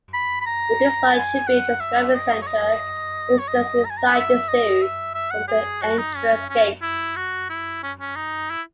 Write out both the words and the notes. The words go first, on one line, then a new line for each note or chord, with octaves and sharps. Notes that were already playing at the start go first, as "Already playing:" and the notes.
The Bismarck Tribune Discovery Center is just inside the zoo from the entrance gate.
B5
B5
A#5
G#5
F#5
E5
D#5
C#5
D#5
C#5
D#5
A#5
G#5
A#5
G#5
E5
D#5
E5
E5
F#5
G#4
F#4
D#4
C#4
C#4
E4
F#4
E4
C#4
C#4
D#4
E4